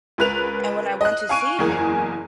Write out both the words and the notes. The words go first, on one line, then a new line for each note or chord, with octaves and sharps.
And when I went to see him
C#2 A#4 B4 F#6 F7
D#5 F#6
F5 G#5 C#6 D7 D#7
F#1 E2 G#4 A#4 G#5